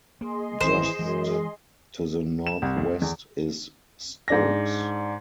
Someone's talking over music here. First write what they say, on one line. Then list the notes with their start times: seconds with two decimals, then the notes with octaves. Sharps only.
Just to the northwest is Stokes.
0.21 A#3 G#4 D#5 C6
0.61 G#1 G#2 E3 C4 C5
0.99 F#2 E3 G#3
2.47 E7
2.62 C2
2.77 F2
3.02 E2
4.28 G#2 D4 A#6